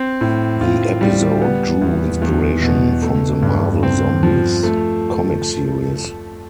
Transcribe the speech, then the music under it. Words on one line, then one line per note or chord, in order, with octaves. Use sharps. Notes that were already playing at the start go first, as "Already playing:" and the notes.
The episode drew inspiration from the "Marvel Zombies" comic series.
Already playing: C4
A2
F4
G3
B3
E2
E2
B2
A3
G2
C4
F3
A3